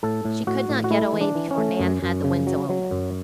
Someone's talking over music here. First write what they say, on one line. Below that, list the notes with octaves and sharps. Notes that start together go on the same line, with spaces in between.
She could not get away before Nan had the window open.
A2 A4
A2
A2 F#4
A2
F#4
A3 E4
E3
D4
E3
C#4
A3
F#2
F#2
C#3
F#3
F#3
F#2